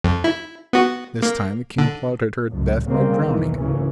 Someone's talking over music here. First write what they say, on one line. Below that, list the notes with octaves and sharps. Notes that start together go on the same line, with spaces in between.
This time the king plotted her death by drowning.
F2
E4
B3 F#4
A#3
D3
C#2 F#2 A2
A#2 C#3 G3 G#3 A#3 C4
B1 D#3 E3
D2 G#2 C#3 E3 A#3 C#4